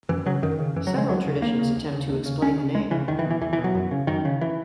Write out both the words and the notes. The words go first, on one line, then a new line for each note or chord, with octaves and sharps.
Several traditions attempt to explain the name.
F#2 E3
C#3 F#3
F#2 D#3
C#3
F#2 E3
F#3
C#3
G#3
D#2 F#3
C#3
D#2 A#3
C#3
D#2
C#3
D#2
C#3
C#2 C#4
C#3
C#2 G#3
C#3 E3
E2 D#3
E3
B2
E3
E2 E3
E3
B2
F#3
F#2
C#3
F#2 D#3
C#3
E3